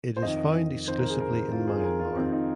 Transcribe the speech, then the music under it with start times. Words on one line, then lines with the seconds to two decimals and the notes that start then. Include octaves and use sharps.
It is found exclusively in Myanmar.
0.17 C5
0.22 F2 D#3 D#5
0.87 F2 D#3 C5
0.98 A#4
1.10 G#4
1.20 A#4
1.51 F2 D#3 F4
1.67 G#4
1.80 G#4
1.84 A#4
1.99 F4
2.16 F2 D#3 C4
2.32 D#4